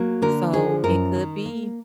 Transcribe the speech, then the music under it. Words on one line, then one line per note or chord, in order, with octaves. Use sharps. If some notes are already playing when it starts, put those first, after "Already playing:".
So, it could be,
Already playing: F#3 A#3
D3 A#4
F3 G#4
F#2 A#4
D#3
A#3